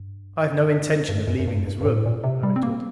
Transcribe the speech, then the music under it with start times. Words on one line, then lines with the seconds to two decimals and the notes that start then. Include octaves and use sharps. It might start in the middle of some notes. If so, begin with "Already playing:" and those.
"I have no intention of leaving this room," I retorted.
Already playing: G2
1.09 G2
1.28 F#2
1.40 F#2
1.47 G2
1.67 G2
1.81 G2
1.85 A2
2.06 A#2
2.24 C3
2.43 G3
2.56 C4
2.63 A#3